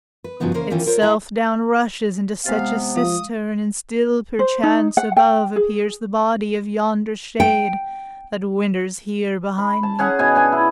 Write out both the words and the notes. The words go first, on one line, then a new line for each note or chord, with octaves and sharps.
Itself down rushes into such a cistern; And still perchance above appears the body Of yonder shade, that winters here behind me.
B4
G2 C#3 F3 F#3 B3 D#4
C#3 E3 A#3 C#4 A#4 C5
D#3 E3 A#3 C#4 F4 G4
F4 A#4 C5 C#5
G#3 E4 E5 A#5
C3 G#3 B3 F5 A6
F3 F5 D#6
C5
D#4
F#5
G5
G#4
G5
B5
A5
C#4 G#4 F#5
B2 D#5 G#5
D4 D#5 G#5
E4